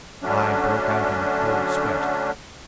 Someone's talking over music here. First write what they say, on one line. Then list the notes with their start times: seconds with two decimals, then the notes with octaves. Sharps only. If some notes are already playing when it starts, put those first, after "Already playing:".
I broke out in a cold sweat.
0.22 D3 F#3 A3 C#4 D4